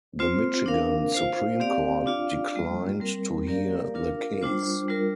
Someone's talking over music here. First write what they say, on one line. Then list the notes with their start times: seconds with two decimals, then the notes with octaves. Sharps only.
The Michigan Supreme Court declined to hear the case.
0.19 C4 F4 C5
0.66 D4 A#4 F5
1.12 F4 C5 F5
1.60 C4 G4 D5 F5
2.06 D4 F4 D5 F5
2.53 G3 A#3 F4
3.00 G3 C4 A#4
3.47 A#3 G4 A#4 D5 F5
3.94 D4 F4 A#4 F5
4.42 G3 D4 F4 C5
4.88 G3 D4 F4 A#4